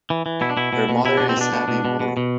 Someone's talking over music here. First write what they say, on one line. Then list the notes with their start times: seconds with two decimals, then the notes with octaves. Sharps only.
Her mother is Abby Moore.
0.10 E3
0.26 E3
0.41 B2 E4
0.50 D4
0.57 B2 E4
0.73 B2
0.89 B2
1.05 B2 E4
1.17 B2 D4
1.29 C4
1.37 B2 D4
1.53 B2
1.68 B2
1.85 B2
2.00 B2
2.17 B2